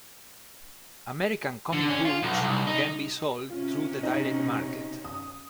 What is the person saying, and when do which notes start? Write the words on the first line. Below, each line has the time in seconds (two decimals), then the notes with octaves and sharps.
American comic books can be sold through the direct market.
1.73 D3
1.90 C#4
2.05 F4
2.23 B1
2.42 C2
2.67 D#4
3.50 C3 C#4 F4
4.03 D#4
5.05 D#6